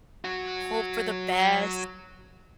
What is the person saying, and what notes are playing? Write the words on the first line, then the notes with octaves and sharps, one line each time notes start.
hope for the best.
F#3 F#4